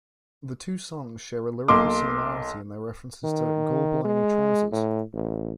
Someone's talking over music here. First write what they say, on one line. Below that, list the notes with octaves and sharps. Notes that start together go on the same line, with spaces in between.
The two songs share a lyrical similarity in their reference to "gorblimey trousers".
B1 A#3 C6 D6
D#3
G#3
A2
A1